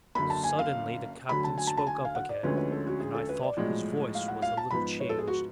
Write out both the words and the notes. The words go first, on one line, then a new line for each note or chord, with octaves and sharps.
Suddenly the captain spoke up again, and I thought his voice was a little changed.
F#1 F#2 D3 B5
A5
G#5
F5
D2 D3 F#3 B5
A5
G#5
A5
A5
G#5
F5
F#5
D5
D2 D3 F3 G#3 C#4 B4
B4
A4
F#4
G#4
A4
B4
D5
B1 A2 F3 G#3
F5
F#5
F5
A5
G#2 F3 B3 B5
C#5
A4
G#4
F#4